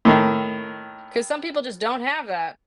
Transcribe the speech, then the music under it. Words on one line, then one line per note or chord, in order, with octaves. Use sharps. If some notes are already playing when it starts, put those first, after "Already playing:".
'cause some people, just, don't have that.
A2 D#3